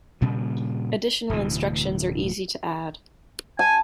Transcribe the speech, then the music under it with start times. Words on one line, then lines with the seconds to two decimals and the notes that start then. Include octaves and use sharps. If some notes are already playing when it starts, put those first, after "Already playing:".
Additional instructions are easy to add.
0.21 G2 A#2 C#3 G3
1.29 D1 D2 B2 E3
3.59 G#5 A5